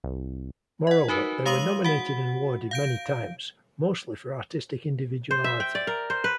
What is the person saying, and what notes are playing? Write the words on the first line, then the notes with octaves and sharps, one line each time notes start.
Moreover, they were nominated and awarded many times - mostly for artistic individuality.
C2
D#5 F#5
D#4 F#4 A#4 B4
G#3 F5 C6 D#6 D#7 F#7
F#4 F#5
F5 G6 D7
C5
E5
G5
D5
A#4
C5
B4